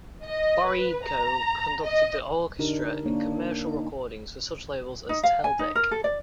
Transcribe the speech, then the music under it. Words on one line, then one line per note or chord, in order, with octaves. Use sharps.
Boreyko conducted the orchestra in commercial recordings for such labels as Teldec.
D#5
B4
A#5
D#5
D3 D4 D#4 G4 A#4
A#3 D4 C#5
D#4
D#4
F5
G#5
D#4
A#4
A4
D5